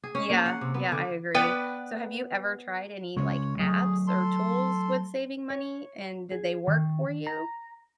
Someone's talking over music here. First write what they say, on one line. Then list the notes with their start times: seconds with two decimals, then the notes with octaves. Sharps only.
Yeah, yeah, I agree, so have you ever tried any like apps or tools with saving money, and did they work for you?
0.04 G#4
0.15 C#4
0.30 A#3
0.46 F#5
0.61 C3
0.74 B3
0.92 D3
1.35 B3 B4 D5 G5
3.17 C#3 G#3 C#5
3.59 F#3 A3 G#4
4.07 A4 C6
5.50 C#5
6.32 G#4
6.68 D#3
7.27 A#5